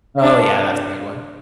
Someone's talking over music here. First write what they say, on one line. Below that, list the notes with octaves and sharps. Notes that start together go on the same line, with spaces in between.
Oh, yeah, that's a good one.
D4